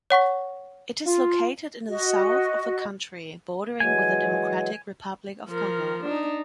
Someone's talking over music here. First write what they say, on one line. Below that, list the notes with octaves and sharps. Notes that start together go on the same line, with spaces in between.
It is located in the south of the country, bordering with the Democratic Republic of Congo.
C#5 F#5 C#6 B6
F4
F#4 D#5
E3 F#3 G#3 G#5
F3 A#4
D4 D#4